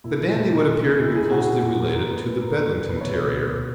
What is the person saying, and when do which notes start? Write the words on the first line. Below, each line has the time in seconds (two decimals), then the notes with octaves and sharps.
The Dandie would appear to be closely related to the Bedlington Terrier.
0.04 A#2 E4
0.20 A#2
0.36 A#2
0.52 A#2 D#4
0.68 A#2
0.84 A#2
0.99 A#2 E4
1.15 A#2 G#4
1.31 A#2 F#4
1.47 A#2 G#4
1.63 A#2
1.78 A#2
1.94 A#2 A#4
2.10 A#2 B4
2.26 A#2
2.42 A#2 A#4
2.58 A#2
2.74 A#2
2.89 B2 B4
3.01 C#5
3.05 B2
3.13 C#5
3.21 B2